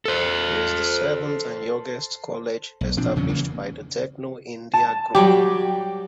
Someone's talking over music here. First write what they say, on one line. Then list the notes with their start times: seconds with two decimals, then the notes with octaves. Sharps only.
It is the seventh and youngest college established by the "Techno India Group".
0.05 A4 C5
2.81 B1
2.97 A#2 F3 C4 D4
3.16 E2 C#3 F#3 C#4
3.29 C#3 E3 A#3
4.74 A5
5.15 F#3 G3 G4 G5